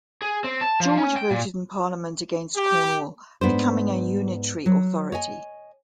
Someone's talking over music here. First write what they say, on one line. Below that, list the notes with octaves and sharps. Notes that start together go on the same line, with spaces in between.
George voted in Parliament against Cornwall becoming a Unitary Authority.
G#4
C4
A5
F3
C#4
G5
A#2
G4
G#2 B3 D4 C5
F#3
C#5 D#5 G#5